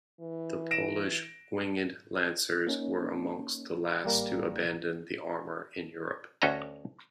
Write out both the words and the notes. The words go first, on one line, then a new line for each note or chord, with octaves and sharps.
The Polish "winged" lancers were amongst the last to abandon the armour in Europe.
E3
A#6 D7 E7
A#3 C#4 D#4
A1 G3 A#3 A#4 A#5
D2 C#4 F#4 A4 D#5 A#5